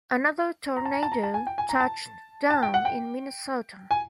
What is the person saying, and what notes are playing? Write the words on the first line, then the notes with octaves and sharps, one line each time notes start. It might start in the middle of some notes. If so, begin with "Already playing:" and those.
Another tornado touched down in Minnesota.
A#5
A5
A#5
A5
A#5
A5
G#5
G5
G#5
A#5
A5
A5
G5
F#5
G5
G#5